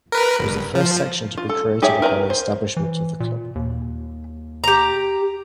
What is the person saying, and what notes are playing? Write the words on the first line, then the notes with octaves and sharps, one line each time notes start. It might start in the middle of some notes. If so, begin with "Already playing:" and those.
It was the first section to be created upon establishment of the club.
A#4 B4
G1
F3
F4
A4
D#4 G4 G#4 C#5 E5
A#4 B4 G5 A#5
C5
E3
A#2
D#2
G4 A#5